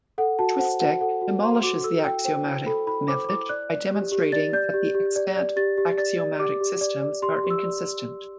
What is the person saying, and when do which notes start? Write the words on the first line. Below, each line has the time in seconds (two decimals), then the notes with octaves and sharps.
Chwistek demolishes the axiomatic method by demonstrating that the extant axiomatic systems are inconsistent.
0.18 A4 F#5
0.39 F#4 A5
0.59 C5 F#5
0.80 F#4 F#5
1.01 A4 F#5
1.22 F#4
1.42 C5 C6
1.63 F#4 D6
1.84 A4 E6
2.04 E4 G5
2.25 C5 G5
2.46 E4
2.66 A4 B5
2.87 E4 B5
3.08 C5 D6
3.29 E4 D6
3.49 D5 F#6
3.70 D5
3.91 G4
4.12 G4
4.32 D5 A6
4.53 D5 G6
4.74 G4
4.94 G4
5.16 D5
5.36 D5
5.56 G4 A6
5.78 G4
5.98 D5 A6
6.19 D5
6.39 G4 D6
6.60 G4
6.81 D5
7.02 D5
7.22 G4 C6
7.37 C6
7.44 G4
7.50 E6
7.64 D5